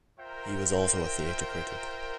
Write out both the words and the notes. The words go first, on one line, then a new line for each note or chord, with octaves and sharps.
He was also a theatre critic.
F4 A#4 C5 E5 G5